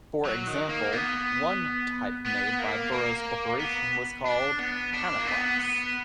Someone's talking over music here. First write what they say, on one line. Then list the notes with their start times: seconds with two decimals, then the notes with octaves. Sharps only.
For example, one type made by Burroughs Corporation was called "Panaplex".
0.25 F#3
0.47 D#3
0.69 A#3
0.92 B3
2.25 B3
2.59 A#3
2.92 A#3
3.59 B3
4.26 D4
4.59 B3
4.93 D4
5.18 A#3
5.27 B3
5.60 B3